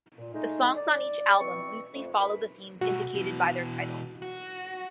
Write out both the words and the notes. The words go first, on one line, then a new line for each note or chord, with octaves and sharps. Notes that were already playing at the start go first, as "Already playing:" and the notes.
The songs on each album loosely follow the themes indicated by their titles.
A#2
G#3 A3 D#4
D5
B2 E3 C4 C#6
F2 A3
F#2 B4 B5
B1 A3 F#4
B2 E3
F#4